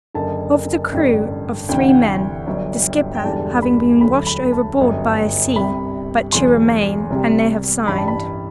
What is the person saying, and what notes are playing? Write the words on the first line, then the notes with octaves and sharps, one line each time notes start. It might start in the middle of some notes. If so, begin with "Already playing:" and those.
"Of the crew of three men, the skipper having been washed overboard by a sea, but two remain, and they have signed."
F#1 F#2 D3 A5
A1 G2 D3
D2 C3 E3 G5
F#5
G5
G1 G2 F#3
G5
E1 E2 D3 G3 A5
B5
D2 D3 F#3 B5
B5
A5
G1 F#2 F#3
C2 C3 G3 B5
E1 E2 D3 F#3 C6
C2 C3 G3
A1 G2 E3 G3 B5
A5
B5